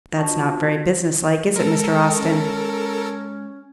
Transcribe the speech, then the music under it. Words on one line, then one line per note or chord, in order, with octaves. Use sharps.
That's not very business-like, is it, Mr. Austin?
B2 F3 D4 A5 C#6
G#3 A4 A#4
C#4